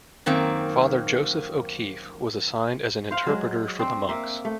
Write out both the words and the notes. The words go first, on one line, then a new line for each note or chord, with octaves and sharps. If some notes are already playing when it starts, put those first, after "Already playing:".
Father Joseph O'Keefe was assigned as an interpreter for the monks.
F#2 D#3 A#3 C4
C5 F5
F#3 G#3
C4 D4
A#3 E5
A3